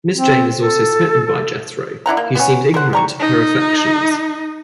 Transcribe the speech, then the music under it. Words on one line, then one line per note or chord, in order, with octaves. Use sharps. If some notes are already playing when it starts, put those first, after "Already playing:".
Miss Jane is also smitten by Jethro, who seems ignorant of her affections.
C4
A4
D4 E4 F#5 A#5
A#3
B3 C#4
A#4 C5 F#5
G3 A#5 C#6
D#4